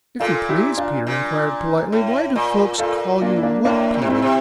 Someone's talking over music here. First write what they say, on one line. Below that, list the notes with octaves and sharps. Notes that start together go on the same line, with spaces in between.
"If you please," Peter inquired politely, "why do folks call you Wood Pewee?"
A#2 F4 A4
E4 G4
D4 F4
A#2
A2
A#2
A#2 F4 A4
A#3 D4
E4
A#3 D4
A2 A#3 D4
A#2
C3
A#2 C4 E4
C3